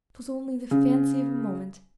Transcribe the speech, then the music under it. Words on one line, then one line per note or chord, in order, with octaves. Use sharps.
'Twas only the fancy of a moment.
C#3